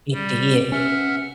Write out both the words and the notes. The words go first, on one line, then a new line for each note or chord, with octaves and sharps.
It did.
G3
C#4 E5 F#5 F6